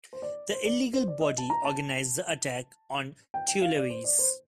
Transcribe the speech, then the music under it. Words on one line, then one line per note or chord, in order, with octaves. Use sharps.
The illegal body organized the attack on Tuileries.
C5
D5
C5
D5
C5
D5
D#5
A5
A#5
A5
G5
G5
F5
D5
C5
D5
C5